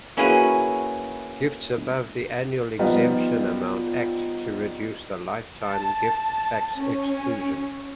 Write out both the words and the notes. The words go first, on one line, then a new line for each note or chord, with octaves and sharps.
Gifts above the annual exemption amount act to reduce the lifetime gift tax exclusion.
A#3 C#4 E4 F#4 G#4 B4
F3 G3 B3 D#4 F4
A5
C#4